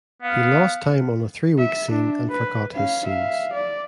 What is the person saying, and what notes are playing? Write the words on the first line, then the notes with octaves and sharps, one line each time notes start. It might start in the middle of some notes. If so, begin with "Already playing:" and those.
He lost time on a three-week scene and forgot his scenes.
B3 F5
E5
D4
B4
C#4 F5
E5 F5
D5